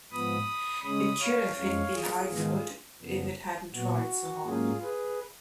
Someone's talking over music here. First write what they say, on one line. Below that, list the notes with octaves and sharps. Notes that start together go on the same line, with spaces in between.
It could have hit the high note - if it hadn't tried so hard.
G#2 F3 B3 B5 D#6
C#3 G#3 C#4 B5 D#6
C#5 F5
F2 F3 G#3 C#4 C#5 F5
F4 G#4
G#2 D#3 G#3 B3
F#2 C#3 F3 B3
A#2 F#3 B3 F#4
G#2 F#3 A#3 C#4 F4 G#4
G#4 B4